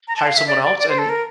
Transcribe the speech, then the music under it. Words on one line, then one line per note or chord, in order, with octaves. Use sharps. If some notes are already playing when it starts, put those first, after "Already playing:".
hire someone else, and
A#5
A5
F5
E5
D5
D5
D5
C5
A4
A#4